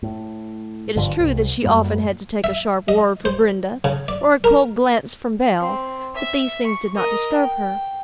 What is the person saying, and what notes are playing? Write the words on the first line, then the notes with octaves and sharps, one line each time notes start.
It is true that she often had to take a sharp word from Brenda, or a cold glance from Belle, but these things did not disturb her.
A2
G#1 G2 D3 F3
C2
F#2 A2 G3 A#3
E5
D#5
C5
C#3
D5
A#4
C4
E5
C#6
A#4 D#5
G5